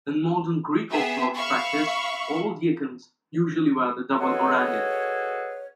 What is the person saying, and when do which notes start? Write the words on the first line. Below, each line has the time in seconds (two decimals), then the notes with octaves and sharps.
In modern Greek Orthodox practice, all deacons usually wear the double orarion.
0.90 B3 G4 G#4 E5
1.35 E5 F5 B5 C#6
4.20 G#3 F#4 G#4 A4 B4 C#5